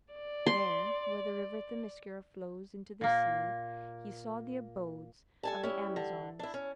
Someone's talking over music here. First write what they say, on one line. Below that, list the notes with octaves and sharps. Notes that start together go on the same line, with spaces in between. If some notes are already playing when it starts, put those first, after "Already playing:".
There, where the River Themiscyra flows into the sea he saw the abodes of the Amazons.
D5
C6
A#2 A#3
G3 A4 G#5 A5
C#4 E4
D3
D4 E4
C#4